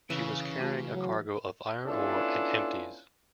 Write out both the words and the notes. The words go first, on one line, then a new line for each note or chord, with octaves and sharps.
She was carrying a cargo of iron ore and empties.
C#3 E3 F5
A3 F#4 A5
F#3
B3 C#4 D4 E4 F4 A4